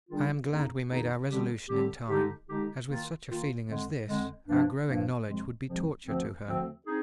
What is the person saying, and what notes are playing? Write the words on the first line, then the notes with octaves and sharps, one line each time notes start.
I am glad we made our resolution in time, as with such a feeling as this, our growing knowledge would be torture to her.
D#3 G3 D4 F4 G#4
F2 D#3 A#3 D#4 G#4
F2 D#3 A#3 D#4 G#4
D3 G3 C4 G4
D3 G3 C4 G4
D3 G#3 D#4 G4
D3 G#3 D#4 G4
D#3 A#3 F4
D#3 A#3 F4
F2 D3 G#3
F2 D3 G#3
G2 F3 A#3 D4
G2 F3 A#3 D4
F2 C3 F3 G#3
F2 C3 F3 G#3
D2 D3 F3 C4
D2 D3 F3 C4
C4 D#4 G#4